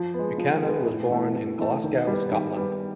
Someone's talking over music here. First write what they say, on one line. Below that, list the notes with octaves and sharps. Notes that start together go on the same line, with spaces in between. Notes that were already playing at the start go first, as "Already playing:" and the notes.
Buchanan was born in Glasgow, Scotland.
Already playing: F3
G#3 B3
F3
G#3 B3
A2
E3 A3
A2
E3 A3
D#3
G3 B3
D#3
G3 B3